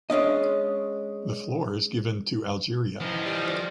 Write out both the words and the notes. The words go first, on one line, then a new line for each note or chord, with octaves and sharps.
The floor is given to Algeria.
G#3 C#4 D4 D#5
E3 F3 D#4
G3